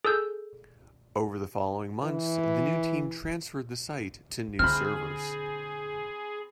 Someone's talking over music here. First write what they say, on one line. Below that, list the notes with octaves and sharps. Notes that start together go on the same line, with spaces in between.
Over the following months, the new team transferred the site to new servers.
G#4 A4 E6 G6
E3
D3 C4 G#4 B5 F6